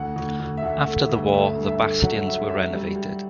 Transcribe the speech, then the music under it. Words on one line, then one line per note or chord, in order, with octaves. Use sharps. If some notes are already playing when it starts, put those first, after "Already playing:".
After the war the bastions were renovated.
Already playing: D2 F#5
D2
D2
E5
D2 F#5
A3
D2
A3 E5
G2
E5
A3
F#3 F#5
C#4 E5
F#3 E5
G3
G3